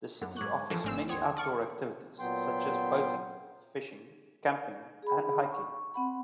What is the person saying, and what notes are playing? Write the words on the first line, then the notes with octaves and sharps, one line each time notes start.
The city offers many outdoor activities such as boating, fishing, camping and hiking.
F#2 F#5
G#2 C#6 D6 F#6 G#6
E3 F3 A4 A5
G#1 A3 C4 D4 G#5 E6
D#2 C#5 F#5 G5 C6 D#6 G#6
D5 A5 C#6 F6
A#2 F#3 B3 G5 C6
G#4 B5
C#6
C4 F#5 B5